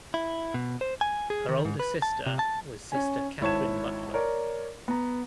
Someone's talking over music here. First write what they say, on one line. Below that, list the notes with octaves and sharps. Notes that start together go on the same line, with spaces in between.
Her older sister was Sister Katherine Butler.
E4
B2
C5
G#5
G#4
D#3
G#2
B4
A5
C3
A5
C#4 G#5
G#1 E4 C#5 A5 G#6 E7
A#4 C#5 D5
B3 A#5